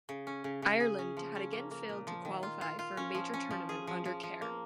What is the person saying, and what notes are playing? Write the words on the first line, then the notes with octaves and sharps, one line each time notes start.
Ireland had again failed to qualify for a major tournament under Kerr.
C#3
C#4
C#3
C#3
G#4
C#4
F3
C#4
A#3
A#3
A#2
F3
D#3
F4
F4
F4
C#4
F3
C#4
F3
G#4
F3
F3
F3
A#3